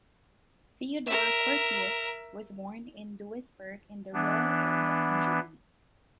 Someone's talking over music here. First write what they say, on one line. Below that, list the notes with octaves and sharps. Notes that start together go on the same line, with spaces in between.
Theodor Curtius was born in Duisburg in the Ruhr area in Germany.
A#4 E5
E3 B3 D4